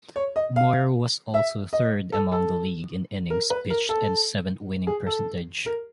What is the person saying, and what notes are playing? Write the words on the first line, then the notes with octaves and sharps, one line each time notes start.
Moyer was also third among the league in innings pitched and seventh winning percentage.
C#5
D#5
F5
E5
D#5
A4
A4
A#4
B4
A#4
A4
G#4
A4
A#4